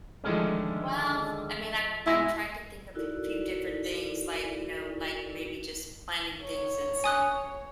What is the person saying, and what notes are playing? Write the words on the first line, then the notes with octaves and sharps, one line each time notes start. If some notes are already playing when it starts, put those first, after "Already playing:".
Well, I mean, I've I've tried to think of a f few different things, like, you know, like maybe just planting things in some,
D3 D#3 F3 G#3 A3 C#4
B2 G#3 E4
D#4 E4 F#4 A4 A#4 D5
C#5
G#5 D#6 F#6